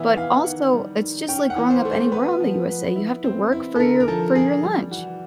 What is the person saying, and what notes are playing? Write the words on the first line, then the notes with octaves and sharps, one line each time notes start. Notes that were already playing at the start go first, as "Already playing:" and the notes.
but also, it's just like growing up anywhere on the USA, you have to work for your for your lunch.
Already playing: E3 B3 E5
E3 F5
D#3 F#5
G3
D#3
C#4 G5
F#5
E3
C5
A3
C5
B3 B4
F3
B3
E4
C4
E4
A4
D3 A#4
A#4
F3 A4
F3 G#4
G3
E3 F#4